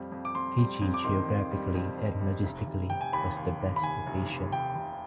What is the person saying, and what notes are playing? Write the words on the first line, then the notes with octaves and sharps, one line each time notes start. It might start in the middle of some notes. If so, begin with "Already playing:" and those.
Fiji geographically and logistically was the best location.
Already playing: F2 G3
F2
D6
F2 C6
G3
F2
D6
D#3 C6
F2
G3
F2
D#3
G3
F1
F1
F1 G5
G#5
D#2 B5
D#2
D#2
B5
F1 G#5
F1
F1
F1 G5
F1